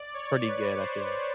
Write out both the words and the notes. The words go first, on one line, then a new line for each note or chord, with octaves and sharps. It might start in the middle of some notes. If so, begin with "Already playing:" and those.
pretty good, I feel.
Already playing: D5
C#5
B4
C5